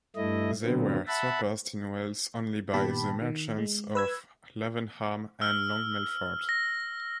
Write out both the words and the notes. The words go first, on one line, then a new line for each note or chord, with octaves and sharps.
They were surpassed in wealth only by the merchants of Lavenham and Long Melford.
G2 A3 E4 D#5
A#2 D3 F#3 B3 C4
E5 F#5 A5 B5
A#2 D#3 B3 G4 A5 B5
D#3
G#3
B4 E6 G#6
E6 F6
A#6